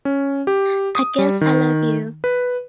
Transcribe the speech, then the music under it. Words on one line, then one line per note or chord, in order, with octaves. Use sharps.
I guess I love you.
C#4
G4
D#6
G3
D#3
B4